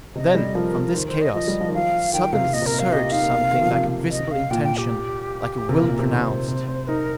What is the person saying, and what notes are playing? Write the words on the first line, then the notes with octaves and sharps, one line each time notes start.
Then, from this chaos, suddenly surged something like a visible intention, like a will pronounced.
C3 D#5
G3
F3 A#4
D#3 C5
C5
D#5
F3 D#5
G3
F3
D#3
F3 F5
D#3 G5
C3 F5
C3
A#2 D#5
C3
A#4
A#3
F4 F5
G4 D#5
F4
D#4 F5
A#3
A#3
C3
D#3
F3
C3
D#5
F5
A#2 G5
G5
G4
C3 A#4
A#2
A#2
C3
D#3 C5
C3
C4
D#4 A#4